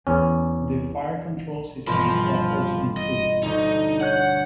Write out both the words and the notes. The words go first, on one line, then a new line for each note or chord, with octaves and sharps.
The fire-control system was also improved.
E2 C#4
G1 B2 E3 F3 F4 B5
D#5
D2 D3 D#4 D#5
C#5 F#5 F#6 G6